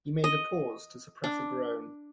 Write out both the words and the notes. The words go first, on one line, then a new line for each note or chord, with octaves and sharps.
He made a pause to suppress a groan.
D#5
D4